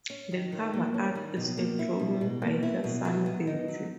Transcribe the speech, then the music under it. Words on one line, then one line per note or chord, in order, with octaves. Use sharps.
The cover art is a drawing by her son Bertie.
C#4
D#3
D#3
A#3
C#4
D#3
B2
A#3
E4
B2
B2
A#3
E4
B2
F#3
B3
D#4
F#3